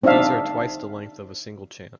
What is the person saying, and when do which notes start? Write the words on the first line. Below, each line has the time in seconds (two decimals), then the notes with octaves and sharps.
These are twice the length of a single chant.
0.04 C4 D4 D#4 E5 F5